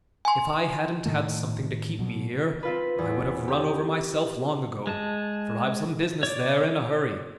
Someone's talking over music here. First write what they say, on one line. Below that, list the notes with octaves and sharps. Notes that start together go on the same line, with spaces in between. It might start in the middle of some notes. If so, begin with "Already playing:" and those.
If I hadn't had something to keep me here, I would have run over myself long ago, for I've some business there in a hurry.
G#5 C6
A2 D#3 A3
B2 F#3
C4 F4 B4
E2
G4 D#6
G#3 A5
C#5 D5